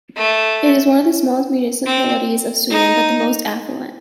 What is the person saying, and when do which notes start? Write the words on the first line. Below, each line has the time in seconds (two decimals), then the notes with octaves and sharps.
It is one of the smallest municipalities of Sweden, but the most affluent.
0.17 A3
1.86 C4
2.70 D#4